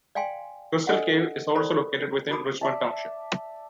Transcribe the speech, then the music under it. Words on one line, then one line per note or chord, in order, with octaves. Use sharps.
Crystal Cave is also located within Richmond Township.
D5 F5 G5 G#5 C6
D4 A4 D5 D#5 F#5
A4 A#4 C5 D5 B5
D#4 F#4 A#4 B5 D6 D#6
D5 E5 A5